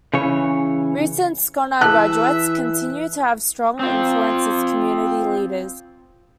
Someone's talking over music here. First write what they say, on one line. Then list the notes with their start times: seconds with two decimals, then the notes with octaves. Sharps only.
Recent Scona graduates continue to have strong influence as community leaders.
0.14 C#3 E3 C#5
1.81 E3 G#4 E5 A5 F#6
3.79 C4 F4